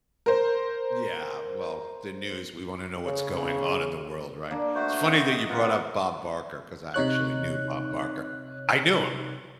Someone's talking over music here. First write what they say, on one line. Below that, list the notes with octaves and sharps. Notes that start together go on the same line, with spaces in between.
Yeah, well, the news, we wanna know what's going on in the world, right? It's funny that you brought up Bob Barker, 'cause I actually knew Bob Barker. I knew him.
A#4 C5
C#3
A#3 D4
A3 F#4 C5
C4 D#5
F3 B3 F4 C#5 F#5
C3 D#4 C#5 F#6